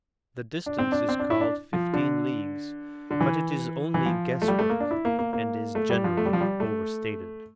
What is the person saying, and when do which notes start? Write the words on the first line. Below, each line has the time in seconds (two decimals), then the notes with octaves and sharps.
The distance is called fifteen leagues; but it is only guess-work, and is generally overstated.
0.66 D4
0.79 C4
0.92 D4
1.09 C4
1.19 D4
1.30 E4
1.41 D4
1.73 F3
1.93 D3
3.11 D3
3.21 E3
3.94 E3
4.06 F3
4.42 A3
4.48 G3
4.59 A3
4.70 A#3
4.80 D4
4.91 E4
5.05 A#3
5.19 A#3
5.33 A#3
5.75 A3
5.90 G3
6.04 F3
6.17 A3
6.25 G3
6.33 F3
6.40 G3
6.60 A3